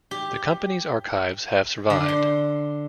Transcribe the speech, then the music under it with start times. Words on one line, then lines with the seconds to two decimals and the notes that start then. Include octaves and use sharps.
The company's archives have survived.
0.11 G4
1.90 D3
2.08 C6